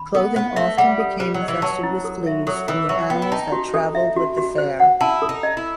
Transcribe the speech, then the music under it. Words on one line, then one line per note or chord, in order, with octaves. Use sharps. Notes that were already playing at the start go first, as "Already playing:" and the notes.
Clothing often became infested with fleas from the animals that travelled with the fair.
Already playing: B5
B3 A4
B3 C5
A3 E5
G3 F#5
A4
G3 C5
F#3
D#5
E3
F#3 A5
E4
A4
E5
F#3 A4
E3 A4
F#3 E5
B3 G5
E4
D#4 A5
F#4
A4
E5
F#4
F#4
C5
F#5
E4 A5
A4
D#4
D#5
E4